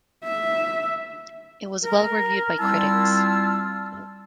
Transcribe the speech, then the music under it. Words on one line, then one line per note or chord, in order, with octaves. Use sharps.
It was well reviewed by critics.
E5
A#4
G3 C4 E4 F4 A5 E6